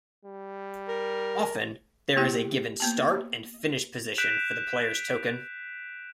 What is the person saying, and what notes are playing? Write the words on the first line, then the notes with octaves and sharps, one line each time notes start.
Often there is a given start and finish position for the player's token.
G3
A#4
A#3 B3 E4 G4 G#4 G5
A#3 B3 A5
F#6 G6 B6 D7 E7 F7